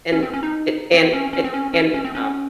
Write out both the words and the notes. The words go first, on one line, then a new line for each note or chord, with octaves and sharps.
and a and a and, um
C#4
C4
C#4
D#4
C4
C#4
C#4
C4
C#4
C#4
C#4
C4
C#4